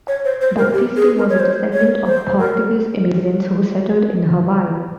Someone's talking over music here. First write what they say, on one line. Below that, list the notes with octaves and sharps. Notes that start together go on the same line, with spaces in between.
Baptiste was a descendant of Portuguese immigrants who settled in Hawaii.
C#5
C5
C5
A#4
G4
G#4
A#4
C#5
C5
C#5
C5
A#4